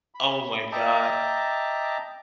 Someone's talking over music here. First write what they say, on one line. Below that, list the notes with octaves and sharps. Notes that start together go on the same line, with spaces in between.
Oh my god.
B5
D#5 E5 G5 A5 A#5 D6